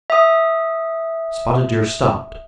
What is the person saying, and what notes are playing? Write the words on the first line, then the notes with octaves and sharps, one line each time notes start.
Spotted Deer stopped.
E5 D#6